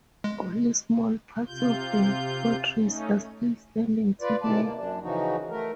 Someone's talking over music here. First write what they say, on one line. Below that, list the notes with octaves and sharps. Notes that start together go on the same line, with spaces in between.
Only small parts of the fortress are still standing today.
G#3
C3 F4 G6
A3 C#4 D#4
F4 B4 D5
C3 D#3 E3 D5 A5
A#3
F#2 D4
C#3 E3 F3 D#4 F#4
A3 A#4